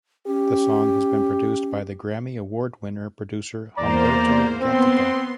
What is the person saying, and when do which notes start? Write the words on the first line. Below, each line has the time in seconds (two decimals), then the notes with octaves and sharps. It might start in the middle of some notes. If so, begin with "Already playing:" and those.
The song has been produced by the Grammy Award Winner producer Humberto Gatica.
0.27 C#4 G4
3.77 E2 A#3 C5 D5 A#5
4.62 B3 C4 C6